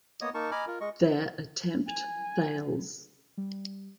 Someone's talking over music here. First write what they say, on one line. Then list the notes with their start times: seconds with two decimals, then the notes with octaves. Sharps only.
Their attempt fails.
0.21 A#3 B3 C#5 D#5 D#6
0.34 A#3 D#4 A#4 A5 C#6
0.51 D#5 G#5 A#5 B5 D6 F6
0.67 F4 A#4
0.81 G#3 D#5 C#6
1.88 G#5
3.37 G3